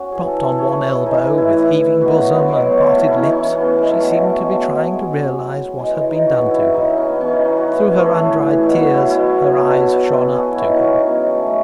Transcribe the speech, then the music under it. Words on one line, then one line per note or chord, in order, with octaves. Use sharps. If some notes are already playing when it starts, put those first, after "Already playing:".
Propped on one elbow, with heaving bosom and parted lips, she seemed to be trying to realise what had been done to her. Through her undried tears her eyes shone up to him.
Already playing: C#4 F#4
C#3 E3 G#4
A4
A4
C#3 E3 C#5
B4
A4
G#4
A2 E3 D#4
E4
A2 E3 B4
B2 F#3 F#4
B3
B2 F#3 G#3
F#3
G#3
A3
C#3 E3 C#4
E4
D#4
C#4
C#3 E3 C#4
B3
G#3
B2 F#3 A3
G#3
A3
B2 F#3 G#3
A3
G#3
C#3 F#3
C#3 F#3
C#3 E3 G#3
G#3
D#4
C#3 E3 F#4
E4
C#3 E3 D#4
D#4
C#4
B3
C#3 E3 C#4
D#4
D#4
F#4
A2 E3 B4
B4
C#5
A4
A2 E3 G#4
B2 F#3 C#5
B4
E4
B2 F#3 E4
C#5
B4
B2 F#3 A4
B4
B2 F#3 A4
G#4
F#4
B2 F#3 E4
D#4
C#4
D#4
B2 F#3 C#4
G#3
A3
A2 F#3 A3